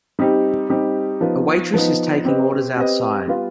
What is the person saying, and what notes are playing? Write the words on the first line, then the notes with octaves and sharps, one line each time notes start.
A waitress is taking orders outside.
G3 C4 D#4 G4
G3 C4 D#4 G4
F3 B3 D#4
F3 B3 D#4
C4 G4 B4 D#5
C4 G4 B4 D#5
G3 B3 F4 B4